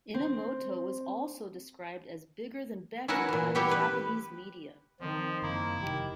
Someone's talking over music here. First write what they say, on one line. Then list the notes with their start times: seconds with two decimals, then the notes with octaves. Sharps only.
Inamoto was also described as "bigger than Beckham" by the Japanese media.
0.14 C4
3.08 C#4 E4 F#4 A#4 B4 F#5
3.29 A#2 E3
3.55 G3 B3 E4 G4 C#5 G5
3.71 B4
5.00 D#3 F3 C4
5.42 F#1 A#3 E4
5.81 F1 D#3 G4